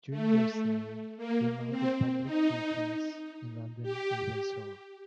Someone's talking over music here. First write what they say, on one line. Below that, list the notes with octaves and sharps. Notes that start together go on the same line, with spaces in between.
During their stay they mounted public duties in London and Windsor.
A3
A#3
C4
D#4
G4